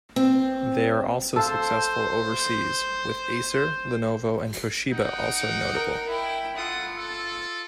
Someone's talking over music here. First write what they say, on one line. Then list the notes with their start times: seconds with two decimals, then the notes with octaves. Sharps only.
They are also successful overseas, with Acer, Lenovo, and Toshiba also notable.
0.16 C4
1.36 A4 C5 F5
4.92 D#4 F#5 G5
5.73 A#4
6.08 E4 G5
6.56 F4 A4 F#5 D#6
6.96 A4